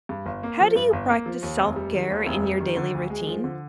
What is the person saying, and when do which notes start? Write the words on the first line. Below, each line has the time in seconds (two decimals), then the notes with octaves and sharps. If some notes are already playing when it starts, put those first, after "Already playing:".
How do you practice self-care in your daily routine?
0.09 G2
0.26 G1
0.43 A#3
0.60 F3
0.76 G2
0.93 G1
1.10 A#3
1.26 F3
1.43 D#2
1.60 F1
1.76 G3
1.93 D#3
2.10 D#2
2.26 F1
2.43 G3
2.60 D#3
2.77 D3
2.94 D2
3.10 G#3
3.27 F3
3.44 D3